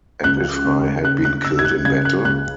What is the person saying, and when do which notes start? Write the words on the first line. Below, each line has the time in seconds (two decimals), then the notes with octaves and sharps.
And if I had been killed in battle?
0.24 C#2 F#6
0.64 C#3
1.04 C#3 F#6
1.25 F#6
1.44 C#3 E6
1.59 G#6
1.65 F#6
1.85 C#3 G#6
2.05 F#6
2.25 C#2 F#6